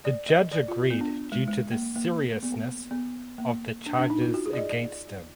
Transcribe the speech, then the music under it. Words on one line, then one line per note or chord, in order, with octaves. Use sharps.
The judge agreed due to the seriousness of the charges against him.
D5
D#5
D5
F4
B3
D4
G#3
G#3
A#3
A#3
B3
B3
A#3
D4
D4
D#4
F4
F#4
G#4
D5
D#5
D5